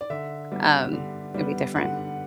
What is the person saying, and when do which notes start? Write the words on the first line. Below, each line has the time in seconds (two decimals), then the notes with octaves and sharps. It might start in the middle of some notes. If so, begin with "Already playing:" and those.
Um, it'll be different.
0.01 D5
0.10 D3 E5
0.52 G3 B3
0.93 D3
1.34 G3 B3
1.76 D3 F#5